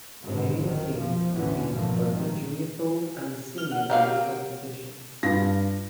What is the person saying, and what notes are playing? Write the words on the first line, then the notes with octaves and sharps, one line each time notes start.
Canadian teams compete in both the Junior Pool and the Senior Pool competitions.
G#2 B2 D3 D#3 F#3
A1 F2 D#3
F3
A1 D#2 D3 E3 B3 C#4
G#1 B2 F3 A3 A#3
A#2 D#3
F6 G7
F#5
F#3 A#3 G4 F5
G2 F4 A#6